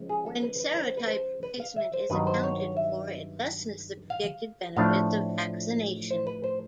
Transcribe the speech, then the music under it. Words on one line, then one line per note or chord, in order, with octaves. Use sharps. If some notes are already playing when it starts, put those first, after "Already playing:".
When serotype replacement is accounted for, it lessens the predicted benefits of vaccination.
Already playing: C#3 F3 G#3 B3
G#4
A4
B4
B4
C#5
C5
B4
C5
B4
F5
E5
C5
G2 D#3 F#3 B3 D#4 B4
C5
C#5
C#5
E5
F5
A2 F3 A3 D4 F5
C5
B4
C5